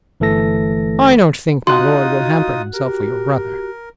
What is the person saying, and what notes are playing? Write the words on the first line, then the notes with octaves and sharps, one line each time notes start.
"I don't think my Lord will hamper himself for your brother."
G1 E3 A3 A4 A#6
D#4 F4 F#4 C6 D#6 F#6
G4 A#4